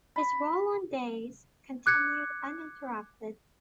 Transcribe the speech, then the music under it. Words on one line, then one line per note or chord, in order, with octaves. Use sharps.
His role on "Days" continued uninterrupted.
B5
D6 F#6 G#6 C#7